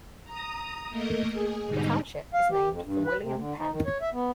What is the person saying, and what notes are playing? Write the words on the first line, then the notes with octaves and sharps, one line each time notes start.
The township is named for William Penn.
A#5 D#6
A3 A#3 A#4 D#5
G#4
G#2 B2 D3 G3 D#4
F5
G4
F2
G2
B4
C3
D3
D#4
D#3
C#5
E5
B3